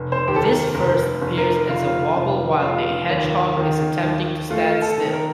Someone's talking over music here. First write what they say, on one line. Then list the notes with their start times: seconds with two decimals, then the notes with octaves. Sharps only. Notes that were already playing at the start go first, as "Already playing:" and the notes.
This first appears as a wobble while the hedgehog is attempting to stand still.
Already playing: F1
0.12 C5
0.28 D#2 G4
0.36 A4
0.44 A#4
0.74 F1 A#4
1.22 F1
1.38 A#4
1.68 F1 F4
2.16 F1
2.62 F1 F4
3.09 D#2
3.57 D#3
4.03 D#2
4.50 A3 F4
4.82 A4
4.98 D#3
5.13 A#4